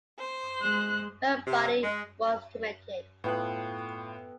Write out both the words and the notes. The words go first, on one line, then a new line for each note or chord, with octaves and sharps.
Her body was cremated.
C5
G#3 F#6
C3
G#3
A2 B3 F4 A4 G5 F#6